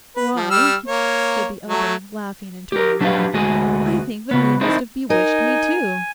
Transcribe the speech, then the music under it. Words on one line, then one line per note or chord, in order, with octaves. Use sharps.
'Why,' said the other, laughing and turning away, 'I think the moon must have bewitched me too.'
B4
F3
G3 E6 F6
A#3 C#5
F#3 A3
G4 A#4
F#3 D4 G4 A#4 B4 F5
D2 G#3 F#4 G#4
C#3 B3
C4 D#4 E4 C5
D#4 A#4 G#5